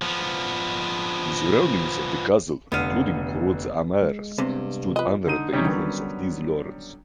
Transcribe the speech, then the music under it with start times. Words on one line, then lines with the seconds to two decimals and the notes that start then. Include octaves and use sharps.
The surroundings of the castle, including Groot-Ammers, stood under the influence of these lords.
0.02 F3 B3
2.72 F1 D3 B3 F5 D#7
4.02 G#3
4.38 G2 C3 B3
4.96 F3 B4 D#5
5.27 D3 D#4 D#7
5.52 C3 E3 G3 C#4 D#4
5.65 D3 D#3 F#3 G3 B3 C#4